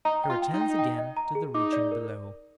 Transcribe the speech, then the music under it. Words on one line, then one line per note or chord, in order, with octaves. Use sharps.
He returns again to the region below.
D#4 A#5
G5
F4
G5
D#4
G5
G5
D#5
A#5
G#4
D#4 D6
D5
A#4